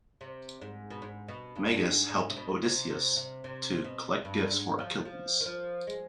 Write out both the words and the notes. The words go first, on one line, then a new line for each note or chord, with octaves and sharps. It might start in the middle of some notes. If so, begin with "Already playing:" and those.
Meges helped Odysseus to collect gifts for Achilles.
C3
G#2
B2
G#2
B2
G2
G2
G#2
G#2
C3
B2
C3
C3
C3
C3
B2
G2
G#2
F3
F3
D#3
F3
G#3